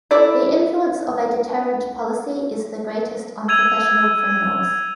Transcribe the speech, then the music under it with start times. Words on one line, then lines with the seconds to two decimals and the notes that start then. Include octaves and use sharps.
The influence of a deterrent policy is the greatest on professional criminals.
0.11 E4 A4 D5
3.48 E6 G#6 D#7 F7